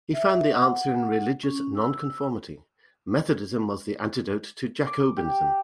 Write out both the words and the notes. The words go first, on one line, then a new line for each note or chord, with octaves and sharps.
He found the answer in religious nonconformity: Methodism was the antidote to Jacobinism.
E5
F#5
C#4
E6
D6
G4